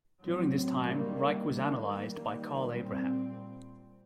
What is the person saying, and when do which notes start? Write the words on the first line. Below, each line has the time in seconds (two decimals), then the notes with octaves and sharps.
During this time, Reik was analyzed by Karl Abraham.
0.22 A2 F#3 C4
0.84 D#3 G3 A#3
1.46 D#3 G3 A#3
2.09 D#3 G3 A#3
2.71 A#2 G3 C4